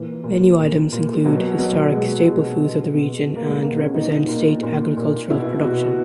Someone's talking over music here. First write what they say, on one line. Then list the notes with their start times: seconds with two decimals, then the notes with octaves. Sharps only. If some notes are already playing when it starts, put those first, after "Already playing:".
Menu items include historic staple foods of the region and represent state agricultural production.
Already playing: A#2 E3
0.24 A#2
0.58 A#2
0.92 A#2
1.25 B2 F#3
1.59 B2 F#3
1.93 B2 G#3
2.26 B2
2.60 B2
2.94 B2
3.28 B2
3.36 A#3
3.44 G#3
3.62 B2 A#3
3.78 C#4
3.95 A#2 D#4
4.28 A#2
4.63 A#2
4.97 A#2
5.30 B2 E4
5.64 B2 F#4